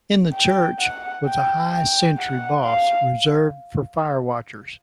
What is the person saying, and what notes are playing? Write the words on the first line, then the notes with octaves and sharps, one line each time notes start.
In the church was a high sentry bos reserved for fire-watchers.
G5
F#5
G5
G5
F#5
F5